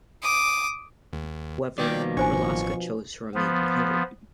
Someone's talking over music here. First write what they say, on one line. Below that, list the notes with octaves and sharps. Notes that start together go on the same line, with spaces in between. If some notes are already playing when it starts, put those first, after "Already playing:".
However, Perlasca chose to remain in Hungary.
D6 D#6
D#2
B2 D#3 F3 G3 A#3 D5 G5
A1 D4 C5 G#5 C#6
F3 B3